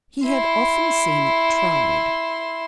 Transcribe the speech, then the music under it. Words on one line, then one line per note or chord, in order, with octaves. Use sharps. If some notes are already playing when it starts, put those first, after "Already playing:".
He had often seen it tried.
E4 C6